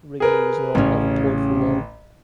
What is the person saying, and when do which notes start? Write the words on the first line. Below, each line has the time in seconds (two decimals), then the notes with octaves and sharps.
Rigney was not unemployed for long.
0.20 G#4 A#4 B4
0.75 A1 C#3 C#4